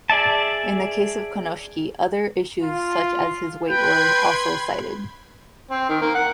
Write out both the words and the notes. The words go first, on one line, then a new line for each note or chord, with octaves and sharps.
In the case of Konishiki, other issues such as his weight were also cited.
G#4 D5 E5 A5
F4
B4 G5 B5 C6 G#6
C4
D#3
A#3
F#5